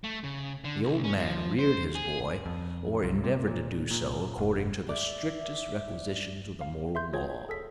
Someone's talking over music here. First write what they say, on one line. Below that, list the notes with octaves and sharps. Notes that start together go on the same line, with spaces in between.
The old man reared his boy--or endeavored to do so--according to the strictest requisitions of the moral law.
A3
C#3
D3
C2
C#4
F3
C5
G#4
F2
C2
C3
A#2
A#2
F1
D5 E5
F5
E5 C6 G6
F4 F#4 G#4 C#5 G#6
G#4 A4 B6